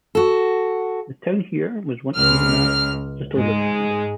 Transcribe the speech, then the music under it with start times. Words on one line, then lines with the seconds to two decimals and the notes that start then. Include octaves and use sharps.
The town here was once known as 'Little Richmond'.
0.15 F#4 A4
2.16 C#2 F6
3.34 G#2 G#3